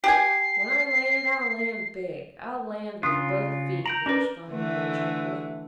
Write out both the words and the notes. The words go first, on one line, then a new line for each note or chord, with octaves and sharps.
"When I land, I'll land big--I'll land with both feet," he responded more cheerfully.
G4 G#5 C7
C#3 D4 F4 D#6 F#6
A#5 G6 D7 F#7
C#4 D4 A#4 B4 D5
D3 E3 A3